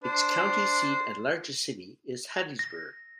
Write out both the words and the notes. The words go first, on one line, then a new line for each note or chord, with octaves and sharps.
Its county seat and largest city is Hattiesburg.
D4 C5
A#6